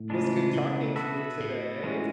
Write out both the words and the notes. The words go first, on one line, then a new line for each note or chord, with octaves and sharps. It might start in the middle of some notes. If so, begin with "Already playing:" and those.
it was good talking to you today!
Already playing: A2
C#3 E3 G#3 D4
B2
B3 F#4 A4 E5
A2
E3 G#3 C#4 F#4